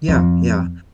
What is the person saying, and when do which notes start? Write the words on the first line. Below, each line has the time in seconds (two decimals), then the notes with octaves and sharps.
Yeah, yeah,
0.09 F2